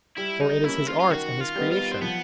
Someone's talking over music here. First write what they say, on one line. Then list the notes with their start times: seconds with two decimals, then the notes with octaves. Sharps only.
For it is his art and his creation.
0.17 G3 E4
0.41 D#4
0.64 A#3 C#4 E4
0.87 F4
1.00 F4
1.10 D#3 F#4
1.40 F4
1.56 G3 B3 D#4
1.71 F4
1.91 C4
2.01 F3 B3